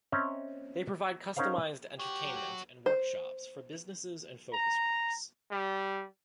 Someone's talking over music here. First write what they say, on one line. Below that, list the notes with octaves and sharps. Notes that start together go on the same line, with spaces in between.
They provide customized entertainment and workshops for businesses and focus groups.
C4 C#4 D#5 E5 A#5
C#4 D#4 A#4 C5 F5 F#5
F#4 G4 C#5
C5
A#5
G3